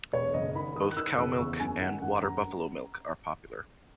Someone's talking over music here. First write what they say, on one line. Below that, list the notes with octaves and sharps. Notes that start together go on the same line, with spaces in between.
Both cow milk and water buffalo milk are popular.
E1 C#5
F#1 D#5
D#3 B5
D#3 D#6
F#6
D#3 E6
F#1 E6
E2 C#6
F#2 G#5
D#3 F#5
F#2 F#5
F#2 A#5